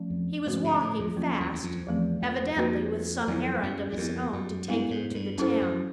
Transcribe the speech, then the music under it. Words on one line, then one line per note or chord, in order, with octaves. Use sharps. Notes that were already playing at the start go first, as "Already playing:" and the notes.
He was walking fast--evidently with some errand of his own to take him to the town.
Already playing: F3 A3 C#4
F2
G#2 D3 F3 A3 C#4 F#4
G#2
A2
F2
F2 F#3 A#3 C#4 F4
E2
E2
F2
E2 F3 A3 C4
F2
F2 A#3 D#4 F#4 B4
F2 D#3 F#3 B3 E4 A4
F#2
E2
F2 B3 E4 G4 A#4
F#2
G2 G#3 B3 E4
G#2
G#2
G2
F#2 C#4 E4 A4 C5
F#2